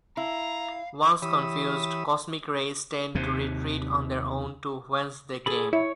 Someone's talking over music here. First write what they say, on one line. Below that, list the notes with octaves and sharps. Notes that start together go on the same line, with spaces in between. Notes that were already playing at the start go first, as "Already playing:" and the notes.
Once confused, cosmic rays tend to retreat on their own to whence they came.
E4 F5 A#5
E3 G4 C#5 B5 D#6 E6
D#2 C3
G#4 A4 B5
E4 C#5